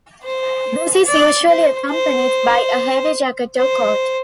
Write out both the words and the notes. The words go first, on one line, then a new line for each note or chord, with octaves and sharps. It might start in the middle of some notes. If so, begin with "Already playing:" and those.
This is usually accompanied by a heavy jacket or coat.
C5
D5
C5
C5
C5